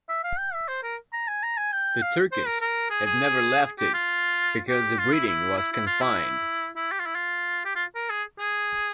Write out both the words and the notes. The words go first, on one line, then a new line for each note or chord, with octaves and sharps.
The turkeys had never left it because the breeding was confined.
E5
F5
G5
E5
C5
A#4
A#5
G#5
A#5
G#5
G5
F5
C5
A#4
A#4
G#4
G#4
G4
F4
G4
F4
E4
E4
E4
E4
F4
E4
E4
G4
F4
E4
F4
G4
F4
A#4
G#4
G#4